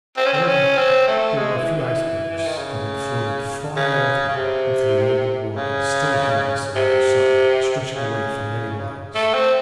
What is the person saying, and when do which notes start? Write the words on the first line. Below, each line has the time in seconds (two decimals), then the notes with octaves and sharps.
However, there were a few icebergs that had floated far northward into the open water still ahead of us on either side, stretching away for many miles.
0.17 C4
0.26 C#4
0.33 C4
0.48 C#4
0.77 C4
1.08 A3
1.37 G#3
1.57 E3
1.77 E3
2.38 E3
2.47 D#3
2.57 C#3
3.76 C#3
4.29 C#3
4.36 C3
5.56 C#3
6.76 C3
7.95 C#3
9.15 A3
9.34 C4